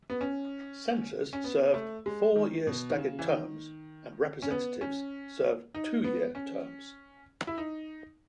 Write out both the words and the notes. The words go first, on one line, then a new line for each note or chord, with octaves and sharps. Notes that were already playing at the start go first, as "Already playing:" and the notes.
Senators serve four-year staggered terms and representatives serve two-year terms.
B3
C#4
C#4
B3
A3
G#3
D#3
B2
D#3
C#3
E3
D#3
C#4
B3
C#4
D#4
B3
C#4
E4
D#4